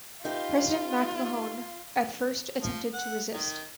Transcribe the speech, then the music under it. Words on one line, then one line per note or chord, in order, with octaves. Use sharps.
President MacMahon at first attempted to resist.
D#4 F4 G4 B4
F3
F#5
D#3